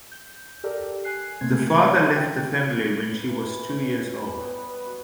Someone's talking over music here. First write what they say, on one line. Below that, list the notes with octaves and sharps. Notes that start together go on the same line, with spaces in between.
The father left the family when she was two years old.
G6
G4 A4 A#4 D5
G#5 F#6 C7
C3 A3 A#3 C4 G#6
C#4
G5
A2
B4
E3
C#5
B4
G3
B3
F#4